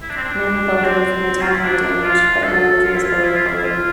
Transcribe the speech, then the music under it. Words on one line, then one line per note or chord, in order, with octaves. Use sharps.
Many buildings in the town were damaged, but no injuries were reported.
E4
D4
C4
D4
D4
C4
F4
E4
D4
F4
A4
F4
E4
F4
E4
F4
E4
E4
F4